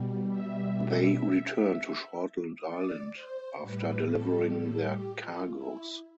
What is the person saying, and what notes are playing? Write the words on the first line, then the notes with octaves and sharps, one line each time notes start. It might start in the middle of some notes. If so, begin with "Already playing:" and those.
They returned to Shortland Island after delivering their cargoes.
Already playing: B2 G3
E5
D5
C5
A2 G3 B4
A4
A4
G4
F4
E4